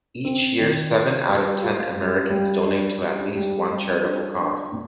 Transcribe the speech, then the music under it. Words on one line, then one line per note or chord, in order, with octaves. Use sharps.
Each year, seven out of ten Americans donate to at least one charitable cause.
C4
D#3
F4
G3
F4
G3
G3
D4
G4
G3
G3
D4
D4
A#2